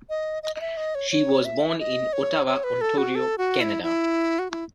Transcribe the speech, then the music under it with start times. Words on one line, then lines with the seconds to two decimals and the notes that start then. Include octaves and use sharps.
She was born in Ottawa, Ontario, Canada.
0.09 D#5
0.43 D#5
0.56 D#5
0.61 E5
0.77 D#5
0.95 C#5
1.11 C#5
1.45 E5
1.79 D#5
2.13 C#5
2.47 C#5
2.64 B4
2.81 A4
2.98 F#4
3.15 A4
3.38 F#4
3.60 E4
3.83 E4
4.39 F#4
4.51 E4